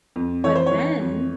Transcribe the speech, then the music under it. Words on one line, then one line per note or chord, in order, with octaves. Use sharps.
But then,
F2
E3 C#5
C5
E3 C#5
F2